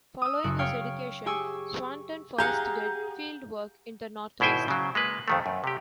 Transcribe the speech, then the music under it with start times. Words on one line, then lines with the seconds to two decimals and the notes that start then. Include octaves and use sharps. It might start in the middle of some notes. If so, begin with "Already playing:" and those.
Following his education, Swanton first did fieldwork in the Northwest.
0.22 D#6 E6
0.44 F#1 F#4
0.59 C#5 F5 G5 C#6 F6
1.26 G4 G#4 G#5 C#6 E6
2.38 G4 G#4 F5 F#5 A#5 G6
4.40 G#1 B2 E4 C5 G5 G#5
4.68 C#3 F#3
4.95 G#3 A#3 B4
5.28 F2 D#3 A3
5.46 F#2
5.64 C3 G4